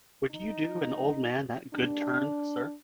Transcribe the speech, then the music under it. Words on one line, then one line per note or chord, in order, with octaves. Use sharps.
Would you do an old man that good turn, sir?
D#4
A#2 F3 A3
D#2 D#3 G3 D4